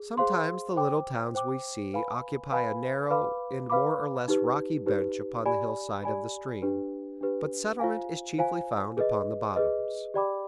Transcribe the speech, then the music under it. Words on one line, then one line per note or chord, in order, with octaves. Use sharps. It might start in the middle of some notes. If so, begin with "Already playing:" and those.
Sometimes the little towns we see occupy a narrow and more or less rocky bench upon the hill side of the stream, but settlement is chiefly found upon the bottoms.
Already playing: G#4
G#4 C5 F5 C6
C5 G5 D6
C5 G5 D6
B4 F5 G#5 B5
B4 F5 G#5 B5
B4 F5 B5 D6
B4 F5 B5 D6
D#4 G4 B4
D#4 G4 B4
G4 D5 G#5 B5
G4 D5 G#5 B5
D4 G4 B4
D4 G4 B4
F4 C5 F5 G#5
F4 C5 F5 G#5
G#4 B4 D#5
G#4 B4 D#5
G4 D5 G5 B5 D6